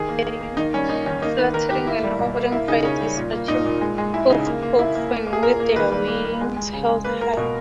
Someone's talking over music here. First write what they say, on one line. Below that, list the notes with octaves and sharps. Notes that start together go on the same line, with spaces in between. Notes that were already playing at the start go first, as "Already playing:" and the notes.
Their unique fluttering and hovering flight is achieved often with their wings held high.
Already playing: D#3 G#4
A#3
A#3
A#3
D#3 D#4
G3 C#4
A#3 D#4
D#3 C#4
A#3 D#4
D#3 B4
D#3 A#4
D#3 G4
A#3 E4
G3
B2
A#3
A#3 E4
C#3 D#4
C#3 C#4
G3
A#2
A#3
A#2 D#4
A#2
G#3
G#3
G#3 E4
C#3 D#4
A#3
A#3
A#3 E4
A#3
A#3
A#3
G#4
A#2 A#4
A#3
D#3 B4
G3
A#3
A#3
G#3
G#3
C#3
G#3
A#3 B4
A#3 A#4
B2